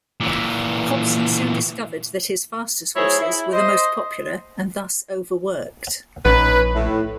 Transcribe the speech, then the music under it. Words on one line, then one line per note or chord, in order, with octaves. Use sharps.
Hobson soon discovered that his fastest horses were the most popular, and thus overworked.
A#2 E3
F#3 A3 E4 G#4 C5 C#5
E4
C5 D#5
A#1 C#4 D#4 B4
A2